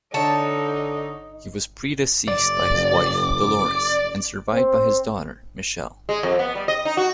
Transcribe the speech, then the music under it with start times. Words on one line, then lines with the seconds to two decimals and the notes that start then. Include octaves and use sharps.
He was predeceased by his wife Dolores and survived by his daughter, Michele.
0.14 D3 D#4 C#5 A5
2.28 F#1 D5
4.54 C4
6.09 G#3
6.23 F2
6.39 B3
6.55 G3
6.68 D#5
6.85 D#4
6.97 F#4